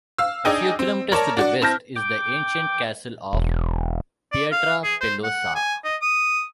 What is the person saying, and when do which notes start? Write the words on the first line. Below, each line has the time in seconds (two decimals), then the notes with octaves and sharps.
A few kilometers to the west is the ancient castle of Pietrapelosa.
0.18 F5 E6
0.45 D4 D#4 G#4 D#5 G5 G#5
0.79 C4
1.12 A#4 C#5 D5 A5 A#5
1.37 D4 F#4 D5
1.62 C4 E4 A5 F6 G6 A#6
1.96 G5 D6
3.33 E1
4.32 D5
4.52 F5
4.84 G#4
5.01 C5
5.24 F#5
5.55 G#5
5.84 D#5
6.02 D#6